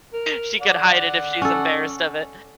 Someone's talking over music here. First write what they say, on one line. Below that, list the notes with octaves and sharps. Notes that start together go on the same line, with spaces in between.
she could hide it if she's embarrassed of it.
A#4
D5 F#5
C#4 A4